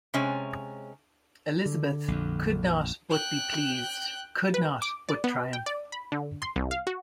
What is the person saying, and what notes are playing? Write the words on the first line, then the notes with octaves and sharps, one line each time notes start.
Elizabeth could not but be pleased, could not but triumph.
C3 G#3 C#4
D3
A#1 F2
G5 F#6
B4
D6
D5
B3
G5
D5
B5
D3
C6
C2
F5
F#4